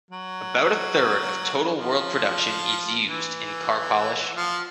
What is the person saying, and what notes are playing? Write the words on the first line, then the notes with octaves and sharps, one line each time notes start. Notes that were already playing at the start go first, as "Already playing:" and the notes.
About a third of total world production is used in car polish.
F#3
F3
E3
F3